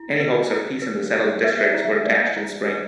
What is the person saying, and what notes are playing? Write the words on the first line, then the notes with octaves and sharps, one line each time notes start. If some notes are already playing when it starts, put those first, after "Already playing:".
Any hopes of peace in the Settled Districts were dashed in spring.
Already playing: E4
B4
E4
B4
E4
B4 E5
D5
E4
E5
B4 D5
E4
B4